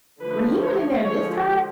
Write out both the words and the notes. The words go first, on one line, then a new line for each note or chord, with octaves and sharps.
When he went in there this time,
D3 F3 A3 B4
C#5
D3 F3 G#3 C#5